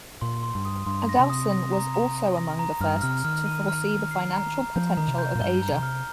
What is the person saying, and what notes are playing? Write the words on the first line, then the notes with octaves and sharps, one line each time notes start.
Adelson was also among the first to foresee the financial potential of Asia.
A#2 C6
C6
G2
D#6
G2 C6
A#6
C3
D#6
A#6
A#5
A#5
A#5
A#6
A#5
G2 F6
C3 F6
D#3 F6
D#7
F6
F6
C7
A#5
A#5
F3 G6
D#3 A#5
C3
G6
A#2
G2 G7
A#5
C3
F6